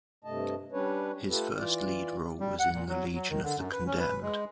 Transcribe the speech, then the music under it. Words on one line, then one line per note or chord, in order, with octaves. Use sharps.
His first lead role was in "The Legion of the Condemned".
G2 C3 A3 D#5 A5
G3 C#4 D4 B4 C#5
A3 F4 G4 A4 B4
E3 F4 D5
G3
F#5
A#2
F#3
F#3
D#3
D3
F#2
B4
C#4
B4
G#3